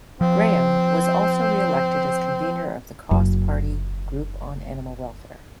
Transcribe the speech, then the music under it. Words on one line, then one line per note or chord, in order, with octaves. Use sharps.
Grahame was also re-elected as Convener of the Cross Party Group on Animal Welfare.
F3 C4
F#1 F#2